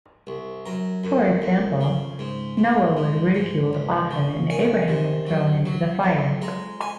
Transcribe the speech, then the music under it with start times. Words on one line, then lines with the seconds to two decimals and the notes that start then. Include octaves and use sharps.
For example, Noah was ridiculed often and Abraham was thrown into the fire.
0.27 C2
0.66 F#2 A#5
1.04 F#2
1.42 F2
1.81 C#3
2.19 G#2
2.57 G#2
2.97 G#2
3.35 G#2
3.73 C#2
4.11 C#3
4.50 D#3 G#5
4.88 C3
5.27 F#3
5.66 F#3
6.03 F2
6.42 G#3 A#5
6.81 G#5